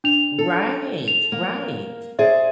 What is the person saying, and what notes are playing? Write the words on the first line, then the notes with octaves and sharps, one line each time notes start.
Right, right.
D4 F7
A4
F7
A#3
G#4 C5 D5 E5